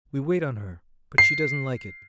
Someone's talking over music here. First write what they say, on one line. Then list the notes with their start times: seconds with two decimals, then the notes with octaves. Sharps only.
We wait on her, but she doesn't like it.
1.18 C7